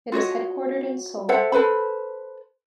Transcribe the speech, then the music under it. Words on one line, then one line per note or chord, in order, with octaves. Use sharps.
It is headquartered in Seoul.
F4 F#4 C#5 D#5
A4 C5 E5 F#5
A4 B4 C5 B5